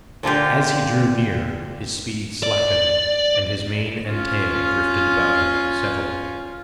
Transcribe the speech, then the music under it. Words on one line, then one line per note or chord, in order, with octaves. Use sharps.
As he drew near, his speed slackened, and his mane and tail drifted about him settling.
A#2 D3 F4 G4
D5
C#4 F4